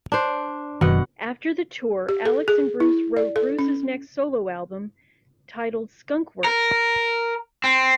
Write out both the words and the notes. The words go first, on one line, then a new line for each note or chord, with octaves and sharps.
After the tour, Alex and Bruce wrote Bruce's next solo album, titled Skunkworks.
D4 C5
F#1 F#2 B2 D#3 F#5
G4
A4
G#4
E4
D5
A4
C#4
A#4
C4